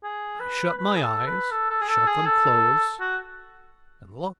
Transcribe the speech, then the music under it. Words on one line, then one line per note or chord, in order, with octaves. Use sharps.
I shut my eyes--shut them close--and lo!
G#4
B4
B4
G#4
A4
B4
A4
A4
G#4
A4
G#4
A4
F#4